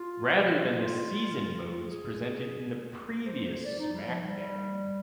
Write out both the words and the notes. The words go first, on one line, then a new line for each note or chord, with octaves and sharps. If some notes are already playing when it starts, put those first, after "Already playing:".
Rather than the Season Modes presented in the previous SmackDown!
Already playing: F4
F4
G#4
A#4
C5
C5
D5
D#4
G3
F3
G3